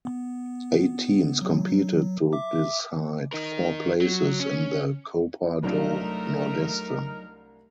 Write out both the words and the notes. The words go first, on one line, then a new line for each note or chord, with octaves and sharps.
Eight teams competed to decide four places in the Copa do Nordeste.
B3
F#3
E5 D6
D#4 A#4
F#3
C#4
C2 F#3 A3 D4 D#4 F4 A#4